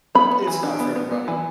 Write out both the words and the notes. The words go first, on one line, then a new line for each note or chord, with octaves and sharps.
it's not for everybody.
B3 B5
B3
E3
D4
B3
B3
B3
E3